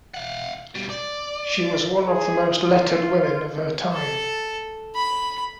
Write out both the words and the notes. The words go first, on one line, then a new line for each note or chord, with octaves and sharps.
She was one of the most lettered women of her time.
F5 F#5
B2 G3
D5
G#4
F4
A4
B5